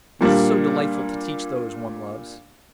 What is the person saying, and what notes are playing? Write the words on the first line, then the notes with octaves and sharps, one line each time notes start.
It is so delightful to teach those one loves!
A#2 G3 A#3 D4